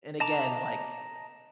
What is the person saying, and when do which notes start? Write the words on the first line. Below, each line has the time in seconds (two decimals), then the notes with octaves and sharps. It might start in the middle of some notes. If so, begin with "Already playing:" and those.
and again, like,
0.20 D#5 A5 A#5 D6